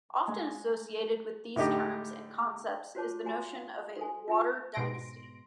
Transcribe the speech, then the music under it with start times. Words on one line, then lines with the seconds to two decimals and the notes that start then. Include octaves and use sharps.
Often associated with these terms and concepts is the notion of a "water dynasty".
0.28 G#3
1.56 A2 D3 D#4 G4
2.95 F4 F#4 C5 C#5 A5 D6
3.25 F#4 G#5 A#5 C6
3.55 F5
3.97 F#4 A4 G#5
4.28 F4 E5 G#5 B5
4.74 G#2 B2 C6 A#6 D7